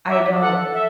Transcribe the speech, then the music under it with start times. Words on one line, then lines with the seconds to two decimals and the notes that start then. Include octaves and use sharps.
I don't
0.09 D5 E5
0.25 D5
0.41 A4 F#5
0.58 A4
0.74 E5